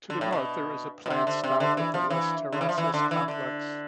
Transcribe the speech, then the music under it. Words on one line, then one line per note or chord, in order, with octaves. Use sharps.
To the north, there is a planned stop at the Les Terrasses Complex.
D3
A2
B2
B2
C3
D3
C3
D3
E3
F3
E3
D3
E3
F3
E3
D3
E3
D3